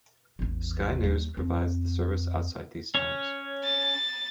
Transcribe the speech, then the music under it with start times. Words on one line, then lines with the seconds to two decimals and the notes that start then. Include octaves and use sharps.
Sky news provides the service outside these times.
0.39 A1 E2
1.03 D#2 G3
1.37 F2
2.95 C#4 C#5
3.64 A6